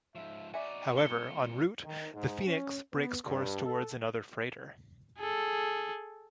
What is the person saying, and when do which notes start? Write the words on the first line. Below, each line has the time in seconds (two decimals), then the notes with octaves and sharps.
However, en route, the "Phoenix" breaks course towards another freighter.
0.15 G#2 F3 E5
0.54 D#4 F#4 D5 E5 G#5
0.97 C2 A#2 A3 D#4 C#7 G7
1.84 D#3
2.14 G#2
2.46 C#4
2.93 B3
3.27 G2
3.65 A4
5.19 G#4 A4